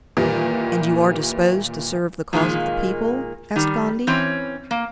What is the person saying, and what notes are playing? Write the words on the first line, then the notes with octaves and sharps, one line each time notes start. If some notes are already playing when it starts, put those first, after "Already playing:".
"And you are disposed to serve the cause of the people?" asked Gondy.
A#2 D#3 E3 G3
A#2 D#3 G#3 A#3
D#3 G3
E3 C4 C#4 C#5
A#3